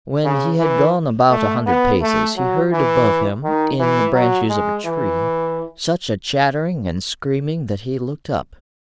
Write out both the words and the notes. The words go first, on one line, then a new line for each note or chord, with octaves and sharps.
When he had gone about a hundred paces, he heard above him, in the branches of a tree, such a chattering and screaming that he looked up.
C#3
E3
A3
B3
A3
F#3
E3
D#3
E3
F#3
G#3
E3